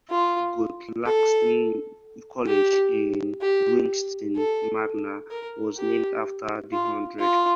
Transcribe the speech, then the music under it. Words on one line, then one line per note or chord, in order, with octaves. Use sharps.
Guthlaxton College in Wigston Magna was named after the hundred.
F4
A4
G4
G4
A4
A#4
G4
F4
F4